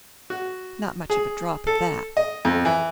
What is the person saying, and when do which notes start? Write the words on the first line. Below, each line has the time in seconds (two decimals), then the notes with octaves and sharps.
Not much of a drop at that.
0.30 F#4
1.10 G#4
1.67 A4
2.17 D#5
2.45 F2
2.65 E3